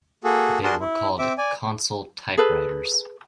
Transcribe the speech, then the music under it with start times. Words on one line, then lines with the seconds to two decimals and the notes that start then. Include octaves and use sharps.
They were called "console typewriters".
0.24 A#3 F#4 G#4 A4
0.63 D4 F#4 G#4 A#4 A5 C6
0.80 E4
1.19 C4 E5 D6
1.38 D5 G#5
2.37 G#4 A4 B4